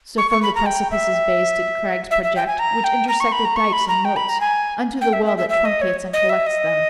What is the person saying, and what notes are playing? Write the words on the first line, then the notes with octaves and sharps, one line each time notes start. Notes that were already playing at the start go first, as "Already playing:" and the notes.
So from the precipice's base did crags Project, which intersected dikes and moats, Unto the well that truncates and collects them.
C#6
C#6
B5
A#5
G5
E5
E5
E5
G5
G#5
A#5
G5
A#5
C#6
B5
A#5
C#6
B5
A#5
G5
B5
A#5
G#5
G5
E5
E5
E5
E5
D#5
C#5
D#5
E5
D#5